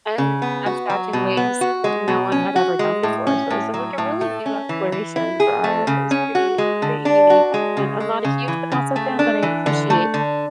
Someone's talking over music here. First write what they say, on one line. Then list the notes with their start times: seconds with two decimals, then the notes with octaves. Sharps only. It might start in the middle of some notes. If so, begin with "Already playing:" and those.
And abstract in ways that no one had ever done before, so it was a like, a really new exploration for art. It was pretty, pretty unique, and I'm not a huge Picasso fan, but I appreciate
0.18 C#3
0.42 B3
0.66 F#4
0.90 F#3
1.13 B2
1.37 B3
1.61 F#4
1.84 G#3
2.08 B2
2.32 C#4
2.56 F#4
2.79 G#3
3.03 A2
3.27 C#4
3.50 A2
3.74 F#3
3.98 A2
4.21 A3
4.46 C#4
4.69 E3
4.92 E3
5.16 E4
5.40 G#4
5.64 A3
5.87 C#3
6.11 C#4
6.35 F#4
6.58 G#3
6.82 D3
7.05 D4
7.30 F#4
7.54 G#3
7.77 C#3
8.00 G#3
8.24 C#3
8.48 E3
8.72 C#3
8.96 A3
9.19 D4
9.42 E3
9.66 D3
9.90 A3
10.14 D3